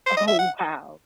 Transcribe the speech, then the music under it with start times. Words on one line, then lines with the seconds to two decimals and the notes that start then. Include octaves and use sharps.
Oh, wow.
0.06 C5
0.17 D#5
0.27 E5
0.39 F#5